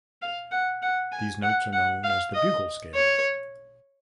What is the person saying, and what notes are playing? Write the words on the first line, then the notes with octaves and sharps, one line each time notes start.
These notes are known as the bugle scale.
F5
F#5
F#5
G#5
F#5
F#5
F5
D#5
C#5